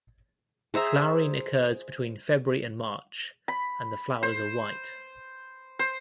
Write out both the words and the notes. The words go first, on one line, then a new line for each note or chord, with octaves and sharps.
Flowering occurs between February and March and the flowers are white.
G#4 C5 E5 A#5
B5
C5
C5